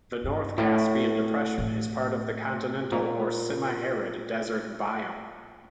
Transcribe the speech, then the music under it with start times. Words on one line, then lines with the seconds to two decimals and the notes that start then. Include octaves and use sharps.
The North Caspian depression is part of the continental or semi-arid desert biome.
0.24 G2
0.58 A2
1.58 A2
2.92 A#2